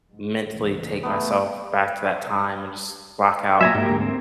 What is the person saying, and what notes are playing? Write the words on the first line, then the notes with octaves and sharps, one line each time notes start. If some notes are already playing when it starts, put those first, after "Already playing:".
mentally take myself back to that time and just block out
G#2
C#2 A#2 E3
A3 B3
A#2 F#3 E5 G#5 A#5
G#2 A#3 G4
D2 G#2
C4